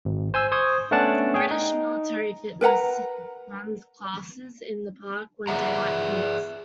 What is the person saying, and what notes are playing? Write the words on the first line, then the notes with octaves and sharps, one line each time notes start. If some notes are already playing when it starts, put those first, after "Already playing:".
British Military Fitness runs classes in the park when daylight permits.
G#1
C5 G#5 C6 E6
C5 C6 C#6 D#6 G#6
A3 B3 C#4 D4 F#5 A5
G#4 C#5 G5
D#4
A#4 B4 F#5 A#5
G#4 B4 D5 E5 F#5 A#5